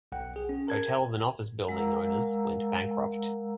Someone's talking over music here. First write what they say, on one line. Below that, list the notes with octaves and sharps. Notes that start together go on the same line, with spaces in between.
Hotels and office building owners went bankrupt.
B1 F#5 G5
G#4
C#4
A#4 A5 G#6
G#3 A#4 F5 F#5 A#5 E6